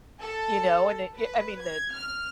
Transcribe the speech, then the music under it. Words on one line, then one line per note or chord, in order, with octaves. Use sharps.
you know? And, i eh, I mean, the
A4
B4
G#6
F6